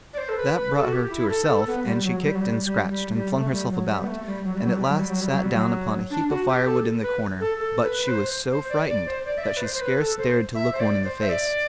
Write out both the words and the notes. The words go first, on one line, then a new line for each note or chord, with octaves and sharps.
That brought her to herself, and she kicked, and scratched, and flung herself about, and at last sat down upon a heap of firewood in the corner; but she was so frightened that she scarce dared to look one in the face.
D5
C5
A4
B4
B4
A4
F#4
G4
E4
A4
A4
B3
G3
F#3
G3
F#3
G3
G3
G3
G3
A3
G3
F#3
G3
B3
A3
G3
F#3
G3
F#3
G3
F#3
G3
F#3
G3
F#3
G3
F#3
D4
F#4
G4
A4
B4
A4
A4
B4
B4
C5
C5
D5
D5
C5
D5
E5
D5
B4
C5
C5
B4
A4
C5
E5
C5
D5
C5
E5
D5